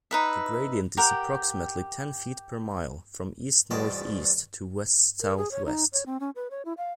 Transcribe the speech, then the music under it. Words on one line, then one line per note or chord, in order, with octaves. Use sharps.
The gradient is approximately ten feet per mile, from east-northeast to west-southwest.
D#4 B4 E5
G4 A#4 F#5 G5
E2 G#2 B2 G3 A5 A#5
A#4
G#4
C#5
D#4
C#5
C4
C#4
B4
C#5
E4
F5